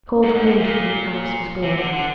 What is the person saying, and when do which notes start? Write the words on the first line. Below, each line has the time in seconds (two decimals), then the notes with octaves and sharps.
A cold wind from the Alps was blowing.
0.23 G#2
0.35 G#2
0.46 A2
0.59 A#2
1.63 C3
1.78 D3
1.93 D3